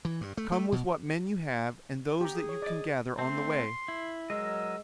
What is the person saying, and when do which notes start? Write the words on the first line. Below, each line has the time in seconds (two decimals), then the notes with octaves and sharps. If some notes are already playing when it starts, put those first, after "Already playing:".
Come with what men you have and those that you can gather on the way.
0.05 E3
0.21 G2
0.37 A3
0.52 A3
0.72 B2
2.21 B3 G4 A#5
2.34 G#4
2.49 C#5
2.62 D5 D#5
3.19 A3 C4 C6
3.88 E4
4.30 F#3 G#3 A#4 D#5 E6